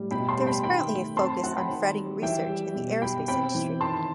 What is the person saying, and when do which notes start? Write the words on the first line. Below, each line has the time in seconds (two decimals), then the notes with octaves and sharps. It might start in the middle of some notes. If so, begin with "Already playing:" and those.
There is currently a focus on fretting research in the aerospace industry.
Already playing: A2 G3
0.11 B2 G5 B5
0.29 A5 C6
0.38 G3
0.46 G5 B5
0.63 D#3 G5 B5
0.90 A3
1.16 C4 A5 C6
1.43 F#3 F#5 A5
1.57 G5 B5
1.70 D#3
1.95 G3
2.22 E3 E5 G5
2.49 G3
2.76 B2
3.02 F#3 G5 B5
3.28 C4 G5 B5
3.55 E3
3.81 D#3 A5 C6